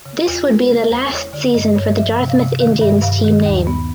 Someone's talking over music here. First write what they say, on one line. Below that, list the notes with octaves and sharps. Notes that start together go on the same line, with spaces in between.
This would be the last season for the "Dartmouth Indians" team name.
C#3
E2 F4
G#3 A#4
C5
C#3 B4
E2 C5
E2 C#5
D3 D5
G2 D#5
G2 C#5
D#5
F3 E5
C3
F5
C3
D#3 F5
G2 E5
G2 F5
D#3
D#2
B3